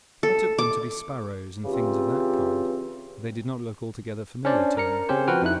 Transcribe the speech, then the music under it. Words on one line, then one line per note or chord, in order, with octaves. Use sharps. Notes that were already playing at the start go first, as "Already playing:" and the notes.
I took them to be sparrows and things of that kind, but they did not look altogether familiar to me.
A4
D6
C#3 E3 C4 F4 G4
C#4 D4 C5 D5
A#4 A#5 C#7
C#3 C4 C#4 G4 C5
F3 F#4 B4 G5 F6
F2 D#4 E4 F#6